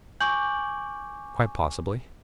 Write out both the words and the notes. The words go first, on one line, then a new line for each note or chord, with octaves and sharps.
"Quite possibly."
G#5 C#6 D6 G6 F#7